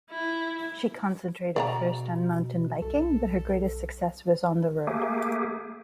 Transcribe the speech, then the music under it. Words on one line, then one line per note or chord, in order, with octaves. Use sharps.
She concentrated first on mountain biking but her greatest success was on the road.
E4
B2 D5 F5 A#5
B1 A4
A3 A#3 G4 G#4